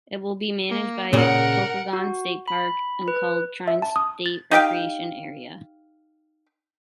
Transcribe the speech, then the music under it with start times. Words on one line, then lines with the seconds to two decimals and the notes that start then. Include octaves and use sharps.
It will be managed by Pokagon State Park and called Trine State Recreation Area.
0.70 A#3
1.13 A#2 C#3 A#4 F#5
1.93 F#4
2.48 B5
3.08 B4
3.68 E5
3.82 A5
3.96 D#6
4.26 A6
4.51 D#4 G4 F5 G5